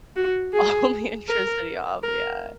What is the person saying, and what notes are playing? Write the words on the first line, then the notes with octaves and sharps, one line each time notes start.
all the electricity off, yeah.
F#4
G#4
A#4
A#4